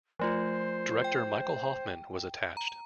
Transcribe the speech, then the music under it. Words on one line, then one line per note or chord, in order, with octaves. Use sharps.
Director Michael Hoffman was attached.
F3 A3 F4 C5
G5
A#5